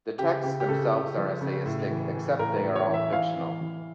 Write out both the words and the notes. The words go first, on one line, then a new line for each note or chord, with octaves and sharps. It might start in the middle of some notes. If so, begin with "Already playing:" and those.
The texts themselves are essayistic, except that they are all fictional.
C#3 G4
C#3 G4
G4
C#3 A4
C#3
F3
C#3
A2
E3
E3
A2 A#4
A#4
A2
C#5
E3
E5
E3 F5
E3
E3